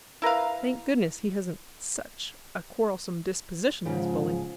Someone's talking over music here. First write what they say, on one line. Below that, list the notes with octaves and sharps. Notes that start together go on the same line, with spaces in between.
Thank goodness he hasn't such a quarrelsome disposition as Bully.
E4 A#4 B4 F5
G#2 C#3 F3